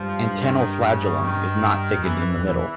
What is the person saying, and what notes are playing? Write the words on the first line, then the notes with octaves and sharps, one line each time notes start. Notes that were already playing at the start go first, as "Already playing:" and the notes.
Antennal flagellum is not thickened in the middle.
Already playing: G2 F3
D#3
C#3
D#3
F2
F#2 E3
F2
F2
E2 E3